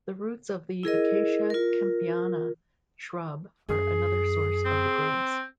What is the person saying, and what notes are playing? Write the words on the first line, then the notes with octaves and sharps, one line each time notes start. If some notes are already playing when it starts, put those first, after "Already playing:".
The roots of the "Acacia kempeana" shrub are another source of the grubs.
E4 G#4 A#4 D#5
F4 A#4
F#2 G#4
C4